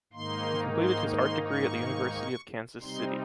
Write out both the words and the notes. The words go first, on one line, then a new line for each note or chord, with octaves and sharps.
He completed his art degree at the university of Kansas City.
G#2 D#3 A#3 D#4 C6
C6
C6
C#6
C3 G3 C4 D#4 C6